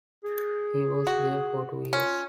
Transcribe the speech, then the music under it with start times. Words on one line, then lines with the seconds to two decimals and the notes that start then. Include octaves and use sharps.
He was there for two years.
0.24 G#4
1.07 F#4
1.93 C#4 F4